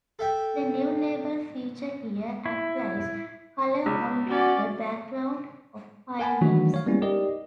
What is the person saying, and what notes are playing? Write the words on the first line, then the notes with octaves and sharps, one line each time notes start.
The new label feature here applies color only to the background of file names.
A4 E5 G5
E4
C#2
C#4 F#4 D5
A#4 F#5 G#5 A5 B5
D#3 E3 F#3 A3 D4 F#4
C#5 F5
G3 G#3 A#3 B3 C#4 E4
D#4 G4 A#4 D5 D#5